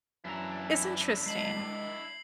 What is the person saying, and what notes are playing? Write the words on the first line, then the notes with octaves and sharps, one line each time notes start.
it's interesting.
F#2 E3 D4 E4 A4 A#5
D#3 G#3 A5 C7 F#7